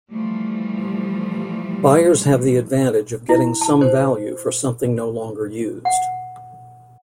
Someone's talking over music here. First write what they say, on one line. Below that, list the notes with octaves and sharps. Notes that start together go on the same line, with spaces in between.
Buyers have the advantage of getting some value for something no longer used.
E3 F3 G3 A3
E4
A5
C5
F#5